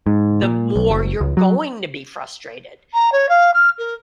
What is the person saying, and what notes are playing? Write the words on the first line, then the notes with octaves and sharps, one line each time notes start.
the more you're going to be frustrated,
G#2
A#2
B1
F#1
C#2
F#3
A#5
C#5
F5
F6
A#4